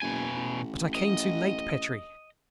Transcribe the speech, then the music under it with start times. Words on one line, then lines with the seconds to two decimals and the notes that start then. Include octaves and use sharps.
But I came too late, Petrie!
0.02 F#1 B2 G#5
0.37 A1
0.95 D#5